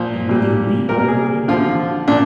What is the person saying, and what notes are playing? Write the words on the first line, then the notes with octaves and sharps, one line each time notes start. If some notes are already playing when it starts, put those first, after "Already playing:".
"And will you weep over me, will you?"
Already playing: A#2 F3
A#2 G3
A#2 G3 A#4
A#4
G#4
D3 F3 F4
A#2 D4